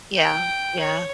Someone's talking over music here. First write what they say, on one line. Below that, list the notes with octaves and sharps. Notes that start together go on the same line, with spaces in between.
Yeah, yeah.
G5
C#5